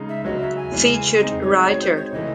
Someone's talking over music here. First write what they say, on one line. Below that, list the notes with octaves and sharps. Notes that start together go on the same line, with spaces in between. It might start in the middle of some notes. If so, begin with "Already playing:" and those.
Featured writer.
Already playing: C#3 G#3 D#4
E5
C#3 F#3 C#4 F#4 D#5
E5
G#5
C#3 E3 G#3 C#4
G#3 C4 D#4 G#4 D#5
C#5
G#3 C4 D#4 F#4 C#5
C5
C#5
C#3 E3 A3 D#5